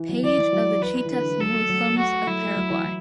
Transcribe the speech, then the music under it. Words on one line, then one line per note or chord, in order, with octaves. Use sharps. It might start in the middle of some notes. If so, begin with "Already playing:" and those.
Page of the Chiitas Muslims of Paraguay.
Already playing: E3
F#3
E3 D5
E3
F#3
E3 B4
E3
D3 B4
D3
E3
F#3 A4
A3
F#3
A3
F#4
A3
F#3 E4
A3
F#3
E3
E3